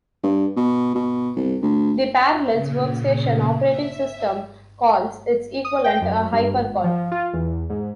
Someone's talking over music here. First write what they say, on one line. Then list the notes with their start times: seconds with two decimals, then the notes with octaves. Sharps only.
The Parallels Workstation operating system calls its equivalent a "hypercall".
0.24 G2
0.57 B2
0.95 B2
1.36 C2
1.62 D2
2.51 A#2 C#3
3.64 E5
5.65 D#6
5.84 G5
6.02 F#2
6.33 G2
6.53 G#1
6.84 F3
7.12 F4
7.33 E2
7.70 G#2